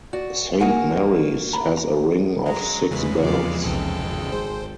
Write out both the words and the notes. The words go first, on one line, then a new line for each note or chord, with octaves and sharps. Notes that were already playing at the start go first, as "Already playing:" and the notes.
Saint Mary's has a ring of six bells.
F#4 D5
A#3 F#4 G#4 F#5 G#5
A#5 B5
A#5
F#3 G#3 A#5
E2 C#3 G#3 B4
F2 B3 D5 F5
B1 C3 A4 G5
G#1
G#3 C5